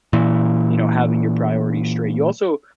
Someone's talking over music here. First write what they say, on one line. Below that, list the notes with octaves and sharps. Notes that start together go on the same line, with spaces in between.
you know, having your priorities straight. You also
A#2 E3